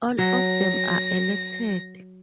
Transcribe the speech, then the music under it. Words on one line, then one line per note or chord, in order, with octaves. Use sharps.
All of them are elected.
F#3 A#6